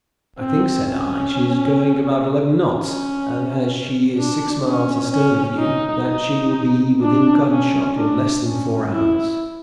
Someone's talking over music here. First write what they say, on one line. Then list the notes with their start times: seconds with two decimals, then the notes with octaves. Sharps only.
"I think," said I, "she is going about eleven knots; and, as she is six miles astern of you, that she will be within gunshot in less than four hours."
0.38 C4
0.87 C#4
2.75 C#4
4.17 D4
4.65 C#4
5.11 C#4
5.59 D#4
6.06 D#4
7.01 D4
7.49 C#4
7.96 D4
8.44 C#4
8.91 E4